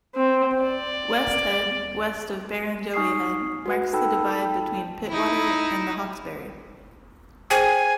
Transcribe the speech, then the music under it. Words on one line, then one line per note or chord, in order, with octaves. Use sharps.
West Head, west of Barrenjoey Head, marks the divide between Pittwater and the Hawkesbury.
C4
D5
D#4 G#5 C#6 D#6 F6 C7
F#4 B4 F#5
D#4 A4 G5 A5 B5 E6
D#4 E4
G#4 C5 G5 G#5